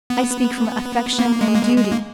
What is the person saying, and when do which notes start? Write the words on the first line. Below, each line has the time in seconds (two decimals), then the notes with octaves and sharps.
I speak from affection and duty.
0.10 B3
1.19 A#3
1.41 G#3
1.55 A#3
1.63 G#3
1.78 G#3
1.92 A#3